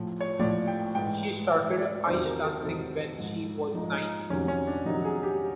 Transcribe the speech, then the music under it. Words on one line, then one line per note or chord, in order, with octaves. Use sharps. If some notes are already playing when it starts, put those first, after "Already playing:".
She started ice dancing when she was nine.
Already playing: A2 F3
C#5
A2 F3 D5
G5
G#2 E3 G5
G#2 E3 G5
D5
E2 C3 D#3 F#3 C5
A#4
A4
A#4
E2 C3 D#3 F#3 A4
G#2 F3
G#2 F3 D#4
D#4
F2 C3 D#3 F#3 C#4
C#4
D4
F2 C3 D#3 F#3 D#4
G#4
G4